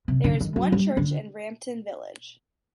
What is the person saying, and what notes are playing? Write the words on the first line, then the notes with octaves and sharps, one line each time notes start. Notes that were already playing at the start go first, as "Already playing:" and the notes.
There is one church in Rampton village.
C3
D3
D#3
F#3
G3
D3